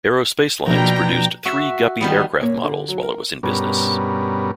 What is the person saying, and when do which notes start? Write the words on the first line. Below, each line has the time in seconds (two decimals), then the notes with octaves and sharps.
Aero Spacelines produced three Guppy aircraft models while it was in business.
0.67 B2 F3 A#3 D4 G5 A#5
1.45 F#4 E5
2.01 D#3 G3 B3
2.41 A#2 A#3 C#5
2.63 D3
2.88 F#3
3.03 A#4
3.43 G2 B2 G3 B3 C#4 A#4